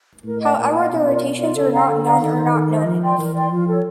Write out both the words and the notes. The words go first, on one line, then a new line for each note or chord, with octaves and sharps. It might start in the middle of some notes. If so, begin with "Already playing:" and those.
However their rotations are not known or not known enough.
A2 A#4
D#5 F#5
A#2 A#4
D#5 F#5
B2 C#4
F4 A#4 D5
C#4
F4 A#4 D5
C#3 A4
D5 F5 A#5
D3 A4
D5 F5 A#5
D#3 A4
C5 D#5
A4
C5 D#5
F3 A#4
D5 G5 C6
E3 A#4
D5 G5 C6
F3 F4
A4 C#5